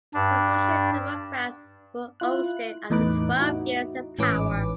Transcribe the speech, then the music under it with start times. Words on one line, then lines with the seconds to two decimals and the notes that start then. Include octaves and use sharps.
The Social Democrats were ousted after twelve years in power.
0.14 G2 D4
2.20 E4 F4 F#6
2.90 E2 A2 D#4 B4 D6 F#6
3.40 D#4 E4 F#4
4.19 A1 G#2 E3 C#4 B4 D6